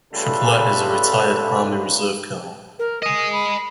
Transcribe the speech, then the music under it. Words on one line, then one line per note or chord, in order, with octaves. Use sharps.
Triplette is a retired Army Reserve colonel.
C#3 G3 A3 F4 A4 B4
A#4
D#5 G#5 D#6
B5